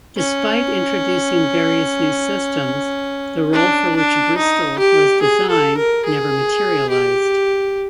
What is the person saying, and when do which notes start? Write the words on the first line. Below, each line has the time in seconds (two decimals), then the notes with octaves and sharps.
Despite introducing various new systems, the role for which "Bristol" was designed never materialised.
0.17 C#4
3.53 D4
3.96 D4
4.37 D#4
4.79 G4
5.21 G#4
5.50 A4
5.77 A#4
6.05 G#4
6.89 G4